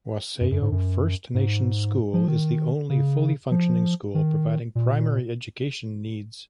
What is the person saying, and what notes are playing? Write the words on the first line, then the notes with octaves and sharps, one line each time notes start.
Wasayo First Nation School is the only full functioning school providing primary education needs.
F#2
F#2
G#2
F#2
G#2
F3
D#3
C#3
F3
D#3
A#2